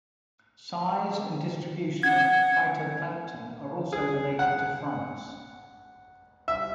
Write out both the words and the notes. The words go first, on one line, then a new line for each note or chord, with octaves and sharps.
Size and distribution of phytoplankton are also related to fronts.
F#5 G#6
G#4
F#5
E5